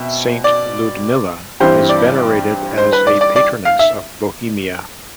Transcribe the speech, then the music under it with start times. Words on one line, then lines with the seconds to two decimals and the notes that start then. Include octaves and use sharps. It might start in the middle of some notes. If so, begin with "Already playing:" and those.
Saint Ludmila is venerated as a patroness of Bohemia.
Already playing: B2 C4 E5
0.44 D5
1.60 G2 E3 G3 C4 C5
1.89 D5
2.78 C5
2.93 B4
3.07 D5
3.21 D5
3.36 D5
3.65 F5
3.79 E5